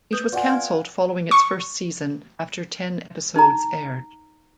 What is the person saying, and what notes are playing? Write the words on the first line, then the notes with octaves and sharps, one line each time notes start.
It was cancelled following its first season, after ten episodes aired.
B4 D#6 G6
F4 D5 F#5 G#5
G5 F6 G#6
C#6
D#4 A#5